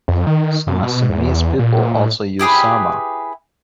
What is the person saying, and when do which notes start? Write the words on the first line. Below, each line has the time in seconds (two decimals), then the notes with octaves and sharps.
Some Assamese people also use Sarmah.
0.08 F2
0.27 D#3
0.67 F#2
0.83 B2
1.10 E2
1.59 A#2
1.94 A2
2.39 E4 G4 G#4 B4